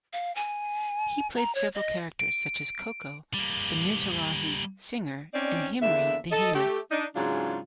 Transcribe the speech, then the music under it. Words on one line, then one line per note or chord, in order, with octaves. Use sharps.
He played several characters such as Coco the Mizrahi singer, and Himri the healer.
F5
G#5
A#5
C#5
D#5
D7
G3 A#3
C4 C#4 D#4 D5
E2 D3 A#3 E5
A4 D#5
A3 G4
D4 D#4
G#2 C#3 E3 F#3 D4 F4